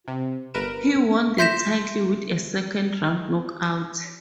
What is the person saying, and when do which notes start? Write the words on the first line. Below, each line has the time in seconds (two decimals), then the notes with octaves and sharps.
He won the title with a second-round knockout.
0.08 C3
0.54 G1 A#4 B4 D7 E7
1.38 E5 C6 G6 A#6 B6 E7